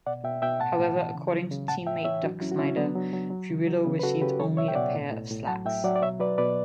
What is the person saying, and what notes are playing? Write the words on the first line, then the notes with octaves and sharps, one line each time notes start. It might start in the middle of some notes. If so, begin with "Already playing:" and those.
However, according to teammate Duke Snider, Furillo received only a pair of slacks.
B2 D5 F#5
B2 E5 G5
B2 E5 G5
A2 F#5 A5
A2
E3
C#3
F#3
C#3
A2 F#5 A5
A2 E5 G5
E3 C#5 E5
F#3 D4 F#4
F#3 C#4 E4
F#4
C#3 C#4 E4
F#3 B3 D4
F#3
F#3
F#3
C#3
F#3
C#3 B3
B4
C#3 F#4 A4
C#3 G4 B4
F#3 A4 C#5
B2 C#5 E5
G5
B2 D5 F#5
A2
A2
A2
F#3 F#5 A5
A2 E5 G5
F#3 D5 F#5
D5
B2 C#5 E5
F#3 B4 D5
B2 B4 D5